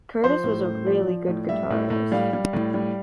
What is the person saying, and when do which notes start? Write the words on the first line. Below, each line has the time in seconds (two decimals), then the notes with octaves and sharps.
Curtis was a "really" good guitarist ...
0.24 F3 C5
0.44 A2
0.66 A2
0.86 F3 D5
1.07 F3
1.28 A2
1.49 G3 E5
1.70 A2
1.90 A2
2.12 G3 F5
2.33 G3
2.53 A2
2.74 G3